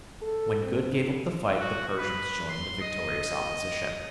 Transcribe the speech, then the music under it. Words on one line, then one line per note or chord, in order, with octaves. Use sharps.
When Good gave up the fight the Persians joined the victorious Opposition.
A4
C4
F#4
B4
C6
D#5